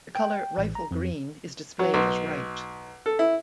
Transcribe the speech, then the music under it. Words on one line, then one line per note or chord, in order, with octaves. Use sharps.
The color "rifle green" is displayed at right.
G5
A1
A#5
F2
F#3
B1
A4
E4